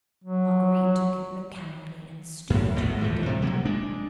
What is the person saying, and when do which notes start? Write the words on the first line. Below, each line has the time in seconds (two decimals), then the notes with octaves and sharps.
Marguerite took it mechanically and stooped to read it.
0.24 F#3
2.50 F#2 A2
2.76 A1 D#2 B2 A3
3.01 A2 E3 F3
3.26 C3 G3
3.42 C3 F#3 A#3
3.65 G#3 D4